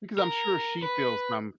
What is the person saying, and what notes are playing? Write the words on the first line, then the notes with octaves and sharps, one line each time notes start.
Because I'm sure she feels some
A#4
B4